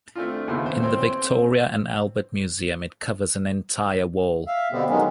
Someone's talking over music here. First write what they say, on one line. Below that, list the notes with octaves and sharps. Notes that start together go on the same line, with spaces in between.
In the Victoria and Albert Museum it covers an entire wall.
A3 C4 D4 F4
D#2 C#3 B3 E4 C6
C5
C4 C5 C#5
E5 F5
B2 D3 G3 B3 C4
D#3 F#3 G#3 C#4